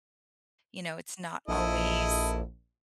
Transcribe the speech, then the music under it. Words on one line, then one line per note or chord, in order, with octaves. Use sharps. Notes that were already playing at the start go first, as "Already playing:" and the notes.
you know, it's not always
A#1 E4 A4 D#5